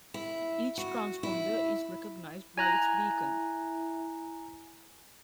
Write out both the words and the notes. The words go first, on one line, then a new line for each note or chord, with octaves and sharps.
Each transponder is recognized by its beacon.
E4
F#4
E4
E4 G#5 A#5 F#6